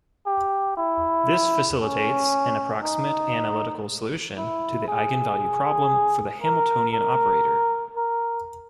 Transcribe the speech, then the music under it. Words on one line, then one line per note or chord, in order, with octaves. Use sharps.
This facilitates an approximate analytical solution to the eigenvalue problem for the Hamiltonian operator.
G4
E4
C#4
D#4
E4
G#4
A#4
A#4
A#4